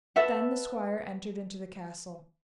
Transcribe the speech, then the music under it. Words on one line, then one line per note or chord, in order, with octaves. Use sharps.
Then the squire entered into the castle.
A4 B4 E5 F#5